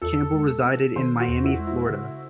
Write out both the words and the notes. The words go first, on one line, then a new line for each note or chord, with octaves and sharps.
Campbell resided in Miami, Florida.
E2 A4
G#3
C4
D#3 C5
F#4
E2
E4
G#3
E4
C#3